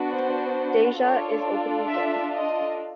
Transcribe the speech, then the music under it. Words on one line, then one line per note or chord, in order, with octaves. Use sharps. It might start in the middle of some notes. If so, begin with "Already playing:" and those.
Deja is openly gay.
Already playing: B3 D4 F#4
C5
D4 F4 A4 C#5
E5
D#5